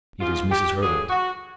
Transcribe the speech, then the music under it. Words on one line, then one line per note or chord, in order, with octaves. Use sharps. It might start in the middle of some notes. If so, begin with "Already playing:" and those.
"It is Mrs. Herbert."
G#2 F3 F4
G4
G2 D3 F#3 G#4
F#4